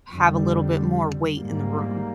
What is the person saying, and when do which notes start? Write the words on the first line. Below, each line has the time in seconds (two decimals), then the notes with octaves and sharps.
have a little bit more weight in the room.
0.13 F2 D3 G3
1.35 G#2 G3 A#3